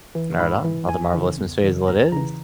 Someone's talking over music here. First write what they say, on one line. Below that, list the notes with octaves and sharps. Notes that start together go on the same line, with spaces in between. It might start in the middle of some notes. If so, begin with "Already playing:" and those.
Right on. Oh, the Marvelous Miss Maisel it is.
E3
G#2 B5
E3
E2 G#5
C#3 E3
E2
C#3 E3
E2 A#5
C#3 E3 A#5